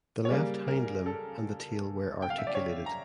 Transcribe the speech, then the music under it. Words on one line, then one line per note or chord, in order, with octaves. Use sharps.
The left hindlimb and the tail were articulated.
C#5
C#3 G3 A#3 D5
A#4
A4
G5
F5
E5
D5
C#5
A#5